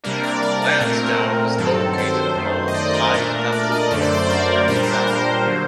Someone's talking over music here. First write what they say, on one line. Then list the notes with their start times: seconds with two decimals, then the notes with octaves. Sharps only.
Lansdowne is located on Old Tai Tapu Road and Early Valley Road.
0.04 C3 G3 A#3 D4 A#4
0.23 D5
0.42 A#4
0.62 A#4
0.81 A#2 A3 C4 A#4
1.58 G2 D#3 F#3 C4 A4
1.98 C5
2.36 F#2 D#3 A3
2.68 D#5
2.74 D5
2.94 A#4
3.14 A#2 A3 D4 A#4
3.52 D5
3.72 D#5
3.91 F#2 D3 A3 D5
4.02 C5
4.13 D5
4.30 A#4
4.68 A#2 G3 D4 A#4
4.76 C5
4.83 A#4
5.07 C5
5.46 D3 F#3 A#3